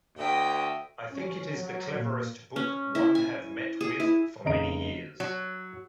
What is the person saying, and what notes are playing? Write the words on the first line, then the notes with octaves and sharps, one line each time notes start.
I think it the cleverest book one have met with for many years.
D2 D#5 E5 G5
C#4
F#3
A#2
C#4
E4
G#5
G#4
E4
F1 C#3 D#5 A#5 D7
F#3